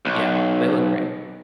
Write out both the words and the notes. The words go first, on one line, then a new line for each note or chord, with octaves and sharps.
Yeah, they look great.
B1